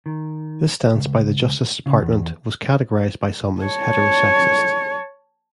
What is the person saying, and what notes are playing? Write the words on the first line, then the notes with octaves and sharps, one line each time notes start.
This stance by the Justice Department was categorized by some as heterosexist.
D#3
C#2
C#3
E2
C#5 A5